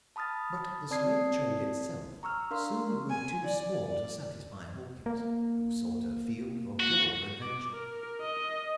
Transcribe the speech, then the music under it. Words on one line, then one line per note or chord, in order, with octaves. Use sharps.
But the slave trade itself soon grew too small to satisfy Hawkins, who sought a field for broader adventures.
A5 B5 D#6 F6 A6
C4 D5 A5 D#6 G#6 C7
A#5 C#6 E6 F6
D4 A#4 F5 C6
G#5
D5
D5
A#3
F#4
D6
A#4
D#5